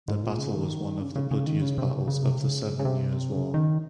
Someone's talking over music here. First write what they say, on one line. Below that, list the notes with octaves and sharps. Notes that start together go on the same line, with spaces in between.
The battle was one of the bloodiest battles of the Seven Years' War.
G#2
A#2
C#3
D#3
C#3
C#3
C#3
D#3
C#3
C3
C#3
C#3
C3
C#3
C#3
C3
C#3
D#3